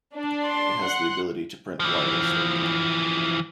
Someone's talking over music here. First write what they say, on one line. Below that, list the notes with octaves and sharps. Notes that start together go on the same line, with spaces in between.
It has the ability to print wirelessly.
D4
C6
F#5
E3 F3